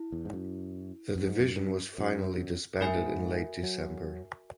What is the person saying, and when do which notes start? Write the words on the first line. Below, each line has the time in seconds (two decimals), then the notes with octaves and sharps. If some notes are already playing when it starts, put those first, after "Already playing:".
The division was finally disbanded in late December.
Already playing: E4
0.12 E2
0.25 G#2
0.33 F#2
1.15 F#2
1.27 G#2
1.40 F#2
1.98 F#2
2.81 G#2 F#4 A#4 E5 G#5
2.88 F#2
2.95 G#2
3.63 F#3